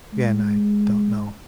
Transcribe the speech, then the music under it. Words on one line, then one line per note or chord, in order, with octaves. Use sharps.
Again I don't know.
G#3